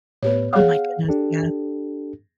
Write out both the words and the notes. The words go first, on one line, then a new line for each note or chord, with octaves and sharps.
Oh, my goodness, yes.
A2 B3 G4 B4 C#5
G#4 C#5 F5 F#5
D4 G4 A4